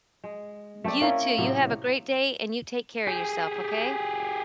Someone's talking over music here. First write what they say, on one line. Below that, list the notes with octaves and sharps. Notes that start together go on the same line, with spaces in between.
you, too. You have a great day, and you take care of yourself, okay?
G#3
A3 C4 C5 D5
A#3 C#4 E4
A2 C3 F#3
G4 G#4